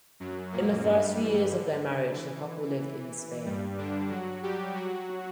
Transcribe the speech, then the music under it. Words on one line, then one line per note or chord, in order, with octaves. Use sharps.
In the first few years of their marriage, the couple lived in Spain.
F#2 F#3
A#2 A#3
G2 G3
E3
D3
E3
E3
G2 G3
D3 D4
F#3 F#4
G3 G4
F#3 F#4